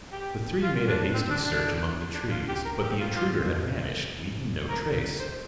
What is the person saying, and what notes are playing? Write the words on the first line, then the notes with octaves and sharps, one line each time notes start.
The three made a hasty search among the trees, but the intruder had vanished, leaving no trace.
G4
F4
D4
C4
D4
D4
D4
F4
G4
A#4
G4
F4
F4
A#4
C5